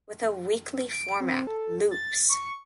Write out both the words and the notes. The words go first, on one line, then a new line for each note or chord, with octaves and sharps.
With a weekly format, “Loops”!
D7
C4
A4
A6
C#6